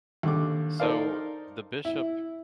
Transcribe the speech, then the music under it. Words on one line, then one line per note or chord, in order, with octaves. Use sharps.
so, the Bishop,
D#2 D3 D6
D#4 A4 A#4 C5 D5 F5
E4